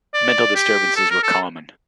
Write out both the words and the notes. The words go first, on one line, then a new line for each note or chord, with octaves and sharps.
Mental disturbances were common.
D5
G4
A4
A#4
A4